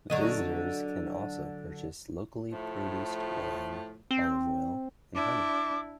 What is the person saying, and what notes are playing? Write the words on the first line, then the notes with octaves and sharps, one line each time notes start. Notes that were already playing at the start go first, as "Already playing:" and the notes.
Visitors can also purchase locally produced wine, olive oil and honey.
D3 F#3 D#5
A2 F3 A3
C4
D4 E4 D6